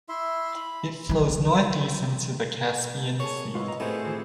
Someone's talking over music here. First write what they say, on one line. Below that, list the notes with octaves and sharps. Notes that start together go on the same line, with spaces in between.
It flows northeast into the Caspian Sea.
E4 E5 C6
B5
E3 F#3
G#4 A#4 C#5 A5
B3 E4 F4 D#5
D#5 A#5 C6
A2 C3 A3 B3 E4 G#4 C5
E3 C4 F4